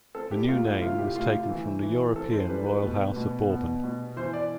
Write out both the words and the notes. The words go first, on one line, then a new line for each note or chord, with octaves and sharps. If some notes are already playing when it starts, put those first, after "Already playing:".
The new name was taken from the European royal House of Bourbon.
C4 A4
G4
A3 F4
E4
C3 F4
G4
A3 F4
F4
E3
E3
C4 A4
C5
G3 B4
B4
B2
B2
B3
B2
E3 C5
D5